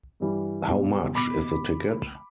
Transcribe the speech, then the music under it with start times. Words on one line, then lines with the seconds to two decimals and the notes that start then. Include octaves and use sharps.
How much is the ticket?
0.20 G2 E3 G3
0.68 B2 G3
1.15 B2 B5 D6